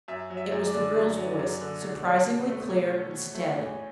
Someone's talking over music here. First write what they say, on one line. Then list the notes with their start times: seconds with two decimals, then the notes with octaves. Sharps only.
It was the girl's voice, surprisingly clear and steady.
0.08 F#2 E5
0.30 F#3
0.37 E5
0.52 F#2
0.67 D5
0.74 D3
0.96 F#2
1.17 F#3
1.39 F#2
1.61 D3
1.82 B2
2.04 C#4
2.26 B2
2.48 A3
2.69 B2 C#5
2.91 C#4
3.13 B2
3.34 A3
3.57 E2